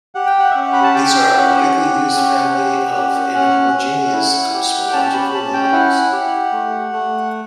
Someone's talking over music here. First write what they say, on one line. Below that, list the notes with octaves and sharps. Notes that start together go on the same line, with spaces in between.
These are a widely used family of inhomogeneous cosmological models.
G4 F#5
G5
F#5
E5
C#4 F#5
B5
A5
G4 G5
E5
C#4 F#5
G4
C#4
G4
C#4
C#4 F#5
C#4
E4
G4
G5
C#4 A5
A5
B5
C#4 A5
G5
E4 F#5
G4
A3
A3